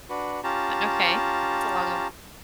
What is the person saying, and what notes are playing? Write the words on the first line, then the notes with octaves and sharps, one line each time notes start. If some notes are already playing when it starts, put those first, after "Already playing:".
Eh okay, that's a long
D4 F#4 B4
C#4 F4 G4 A5 A#5